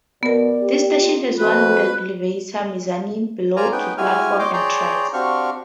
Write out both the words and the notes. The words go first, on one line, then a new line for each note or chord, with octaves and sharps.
This station has one wooden elevated mezzanine below the platforms and tracks.
B2 B3 A#4 D5
G4
F4
F2 F#4 B4
A#4 C5 D5 F5 G#5 A#5
B3 C#4 D#4 B4 G5
G#3 E4 F#4 G4 G#5 F6
C#5 D#5 G5 C6 D6
G#4 C#5 D5 G5 A#5 C6
C4 D4 F#4 G4 F5 C#6